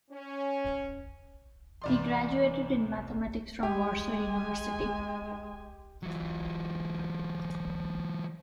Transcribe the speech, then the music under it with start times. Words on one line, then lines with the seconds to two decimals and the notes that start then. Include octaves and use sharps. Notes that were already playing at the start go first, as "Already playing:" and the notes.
He graduated in mathematics from Warsaw University.
0.11 C#4
1.82 C2 E3 D5 C6
3.63 G#3 G4 G#5
6.03 E3 F#3